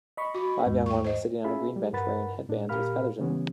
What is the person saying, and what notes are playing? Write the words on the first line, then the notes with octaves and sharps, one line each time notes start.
Five young women sitting on a green bench wearing headbands with feathers in them.
D#5 B5 C#6
F#4
D#2 G#2
G5 C#6
C5 D#5
C#4 F4 G#4 E5 B5
G3
G2 A#4 B4 F#5 B5 A6
A2 D4
A#2 G4 A#4 F5 B5 F6
C#3 E3 G3 B3 C#4